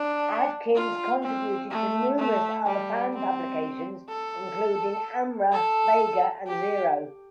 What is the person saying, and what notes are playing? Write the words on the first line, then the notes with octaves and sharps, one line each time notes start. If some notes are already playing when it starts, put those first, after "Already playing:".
Adkins contributed to numerous other fan publications, including "Amra", "Vega" and "Xero".
Already playing: D4
F4
C4
A3
A3
G3
C4
A4
A4
G4